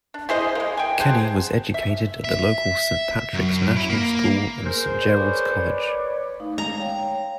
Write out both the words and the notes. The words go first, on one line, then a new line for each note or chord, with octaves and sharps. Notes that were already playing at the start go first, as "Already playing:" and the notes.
Kenny was educated at the local Saint Patrick's national school and Saint Gerald's College.
D4
E4 G#4 C5 D#5
G#3 A#3
G5 G#5
F#3 G#4 C5 A5
E5
E5
F#2
E4
A#3
G#4 A#4 C5
B4 C#5 D5
A3 D#4 F5
G#3 A#5
C#5 F5 G5